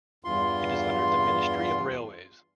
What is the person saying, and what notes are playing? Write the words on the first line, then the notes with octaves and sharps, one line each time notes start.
It is under the Ministry of Railways.
E2 G2 F4 C6